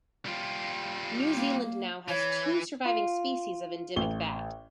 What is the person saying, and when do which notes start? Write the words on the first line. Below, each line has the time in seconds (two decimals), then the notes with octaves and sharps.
New Zealand now has two surviving species of endemic bat.
0.26 G3 F4
1.34 A#3
2.08 E3 C#5
2.85 F4
3.96 A1 G7